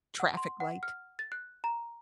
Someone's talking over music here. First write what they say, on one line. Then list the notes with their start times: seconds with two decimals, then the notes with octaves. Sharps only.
traffic light?
0.20 F#5
0.37 C6
0.60 F#5
0.83 F6
1.19 A6
1.32 F#6
1.64 A#5